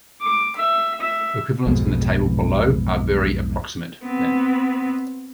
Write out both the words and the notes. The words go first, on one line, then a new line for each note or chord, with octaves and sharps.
Equivalents in the table below are very approximate, then.
D6
E5
E5
B1 F2 G#2 B2
B3 C4